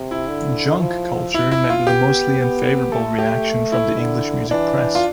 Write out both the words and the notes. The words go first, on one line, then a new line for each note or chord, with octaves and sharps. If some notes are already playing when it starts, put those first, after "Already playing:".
"Junk Culture" met with a mostly unfavourable reaction from the English music press.
Already playing: C3
E4
D3
F3
E4
E4
F4
B3 G4
B3
A3 A4
G4
E4
D3
E3 D4
F4